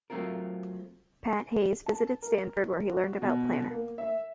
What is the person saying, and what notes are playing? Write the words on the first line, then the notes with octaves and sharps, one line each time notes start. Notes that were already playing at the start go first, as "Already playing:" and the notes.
Pat Hayes visited Stanford where he learned about Planner.
F#3 A3 C4 F4 A#4
A5
A#4
F#4
B2
A#3
E5